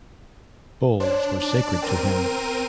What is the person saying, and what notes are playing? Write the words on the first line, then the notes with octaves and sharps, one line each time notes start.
Bulls were sacred to him.
D4 C5 C#5 C6
D4 D5
C4 A#4 D#7